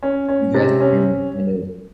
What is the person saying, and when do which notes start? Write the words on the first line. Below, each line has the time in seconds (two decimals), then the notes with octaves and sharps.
you guys can kind of,
0.03 C#4
0.29 C#4
0.54 C3
0.80 C#4